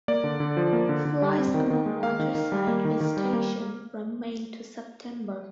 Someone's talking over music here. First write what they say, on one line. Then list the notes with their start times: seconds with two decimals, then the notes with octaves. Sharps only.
Flies among waterside vegetation from May to September.
0.08 A#3 D5
0.24 D3
0.40 D3
0.57 F3
0.73 A#3
0.89 D3
1.05 D3
1.22 G3
1.38 C4
1.54 D#3
1.70 D#3
1.86 G#3
2.03 A#3 F5
2.19 D#3
2.35 D#3
2.52 G3
2.68 A#3
2.85 D#3
3.01 D#3
3.17 G3
3.33 A#3